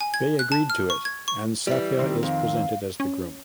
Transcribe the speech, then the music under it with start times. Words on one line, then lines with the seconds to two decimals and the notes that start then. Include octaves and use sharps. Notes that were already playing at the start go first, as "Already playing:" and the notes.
They agree to it and Sathya is presented as the groom.
0.01 G#5
0.14 G#6
0.39 F#6
0.52 A5
0.70 F6
0.90 C#6
1.05 G#6
1.28 C#6
1.67 E3 G3
1.99 D#3 C4
2.23 F2 F5
3.00 C#4